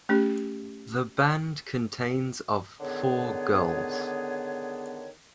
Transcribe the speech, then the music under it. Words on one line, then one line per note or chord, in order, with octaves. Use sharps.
The band contains of four girls.
A3 C#4 G4
D3 D#3 B3 G#4 C#5